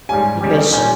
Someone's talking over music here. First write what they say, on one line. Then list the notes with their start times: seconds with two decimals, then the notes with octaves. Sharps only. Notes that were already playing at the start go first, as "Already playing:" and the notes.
because sh
0.09 G#2 G3 C#4 G#5
0.41 D#2 C#3 G3 C#4 G4
0.73 A#2 G3 C#4 G#5